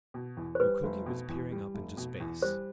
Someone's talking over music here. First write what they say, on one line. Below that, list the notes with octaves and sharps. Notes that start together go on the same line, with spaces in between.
Mukoki was peering up into space.
B2
E2
C5
G3 B4
F1
B2
E2
G3
F1
B2
E2
G3 C5